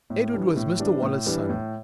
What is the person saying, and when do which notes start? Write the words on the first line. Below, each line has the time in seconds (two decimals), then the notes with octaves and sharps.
Edward was Mr Waller's son.
0.10 A2
0.33 E3 G3 D4
0.56 A2
0.80 E3 G3 D4
1.02 A2
1.26 E3 G3 D4
1.49 A2